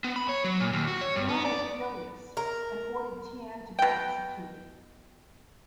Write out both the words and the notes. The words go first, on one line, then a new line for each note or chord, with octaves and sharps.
Yuan was furious and ordered Tian to be executed.
B3
B5
C#5
F#3
A#2
D#2
F#4
C#5
G2
B3
D5
A#4
B2 G5